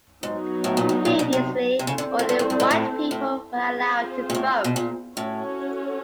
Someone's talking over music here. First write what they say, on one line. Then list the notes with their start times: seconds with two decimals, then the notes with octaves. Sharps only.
Previously, only white people were allowed to vote.
0.23 G#2 F#3 B3 D#4 F#4
0.64 A2
0.77 A#2
0.89 A2
1.05 A#2
1.19 B2
1.33 C3
1.79 C3
1.87 C#3 C4 E4 A4 C5
1.98 D3
2.19 A2
2.29 G2
2.39 G2
2.50 G2
2.60 G#2
2.71 A2
3.11 A2
3.53 C4 F4 G#4 C5
4.30 A#2
4.35 A2
4.64 B2
4.76 A#2
5.17 A2 C#4 F#4 A4 C#5